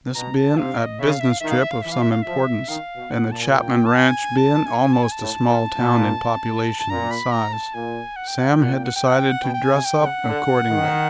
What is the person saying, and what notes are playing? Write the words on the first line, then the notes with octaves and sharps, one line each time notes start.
This being a business trip of some importance, and the Chapman ranch being almost a small town in population and size, Sam had decided to "dress up" accordingly.
B2 A#5
A5
C3 F5
D#5
C#3 E5
F5
E5
F5
D#3 E5
F5
E5
F5
E3 E5
F5
E5
F5
F3 E5
D#3 F5
B2
F#5
A#2
A5
G#5
G5
A5
G#5
A5
A5
G#5
A5
G#5
A5
A2
A#2
A#2
A5
A#2 A#5
B5
A#5
A5
A#2 G#5
F#5
G5
F#5
G5
A#2 F#5
G5
F#5
G5
F#5
G5
F#5
B2 G5
G5
G#5
C3
G5
C#3
F#5
D3
D#3